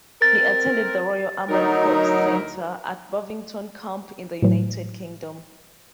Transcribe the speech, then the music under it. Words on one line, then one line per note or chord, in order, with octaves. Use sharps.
He attended the Royal Armoured Corps Centre at Bovington Camp in the United Kingdom.
C4 A#4 A6
D2 F#3 D#4 E4 A#4
A2 E3 F#3